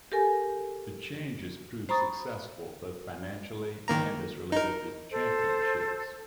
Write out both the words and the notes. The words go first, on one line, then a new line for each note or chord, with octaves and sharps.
The change has proved successful, both financially and as related to championships.
G4 A4 A#4 G#5
C5 A#5 B5 C#6 D#6 A6
D#3 A#3 A#5
D#4 A#4
A4 C5